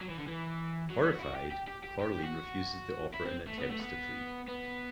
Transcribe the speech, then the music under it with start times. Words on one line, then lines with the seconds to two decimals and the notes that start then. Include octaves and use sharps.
Horrified, Coraline refuses the offer and attempts to flee.
0.01 F#3
0.10 E3
0.19 D3
0.27 E3
0.90 F#3
1.02 G3
1.12 F#4
1.20 E4
1.23 F#4
1.35 G4
1.52 G4
1.68 G4
1.84 G4
2.01 G4
2.24 F#4
3.14 E4
3.25 C4
3.47 A3
3.58 B3
3.70 A3
3.80 B3
4.48 B3